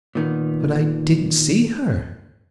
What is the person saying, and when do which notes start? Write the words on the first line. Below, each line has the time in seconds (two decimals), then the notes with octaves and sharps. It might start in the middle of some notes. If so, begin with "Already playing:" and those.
"But I didn't see her."
0.15 A#2 D#3 B3